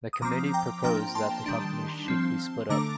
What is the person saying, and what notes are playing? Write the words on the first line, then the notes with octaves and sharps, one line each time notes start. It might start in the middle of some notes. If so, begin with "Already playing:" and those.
The committee proposed that the company should be split up.
D#6
F3 C4 A#5 D6
G5 A#5
F3 A#3 D4 G5 A#5
A5 C6
D#3 G3 D4
F3 C4
D3 A3 D4 A#5 D6